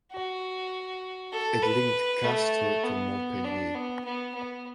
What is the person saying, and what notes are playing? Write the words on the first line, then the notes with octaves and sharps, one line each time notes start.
It linked Castres to Montpellier.
F#4
A4
B4
A3
B3
D4
B3
B3
B3